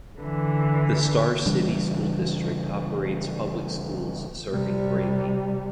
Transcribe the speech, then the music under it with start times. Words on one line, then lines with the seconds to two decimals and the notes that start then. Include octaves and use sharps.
The Star City School District operates public schools serving Grady.
0.19 D3 E3
1.46 C#3 E3 G3 D4
4.50 C3 G3